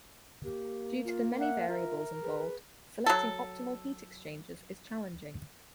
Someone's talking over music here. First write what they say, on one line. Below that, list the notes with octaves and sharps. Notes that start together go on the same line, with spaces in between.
Due to the many variables involved, selecting optimal heat exchangers is challenging.
A#3 G4
F4
E5 F#5
F4 A#4
G#4 B4
F#3 A4